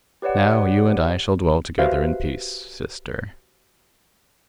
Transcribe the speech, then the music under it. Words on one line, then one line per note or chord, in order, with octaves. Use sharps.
Now you and I shall dwell together in peace--sister.
G4 B4 C#5 D5 F#5
F#4 G4 B4 C5 E5 F5